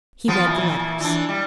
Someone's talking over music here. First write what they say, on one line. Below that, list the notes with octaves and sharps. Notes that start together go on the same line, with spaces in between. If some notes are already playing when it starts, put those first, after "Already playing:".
He read the letters.
F3 B3
A#2 E3
E3 D4
G3